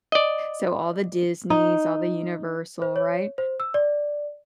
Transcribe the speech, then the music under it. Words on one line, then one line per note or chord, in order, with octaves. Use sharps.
So, all the Disney's, all the Universal, right?
D5 D#5
D#4
C5
C#5
C5
E6
D5